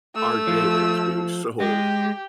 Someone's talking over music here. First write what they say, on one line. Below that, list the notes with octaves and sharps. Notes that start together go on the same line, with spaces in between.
our data is being sold,
A3 E6
F3
G#3 G4